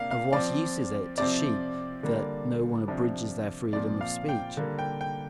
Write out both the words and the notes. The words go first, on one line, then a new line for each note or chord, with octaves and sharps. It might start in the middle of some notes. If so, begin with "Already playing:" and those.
Of what use is it to sheep that no one abridges their freedom of speech?
Already playing: C3 A#3 D4 F5
F5
F3 C4 D5
C3 F3 C4 D5
D3 G3 A#3
C3 F3 D4
A#2 F3 C4 D5
F5
G5
D3 G3 A#3
G5
G5